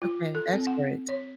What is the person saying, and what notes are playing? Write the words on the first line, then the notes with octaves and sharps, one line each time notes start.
Okay, that's great.
F4
A4
C4
F#5
C#5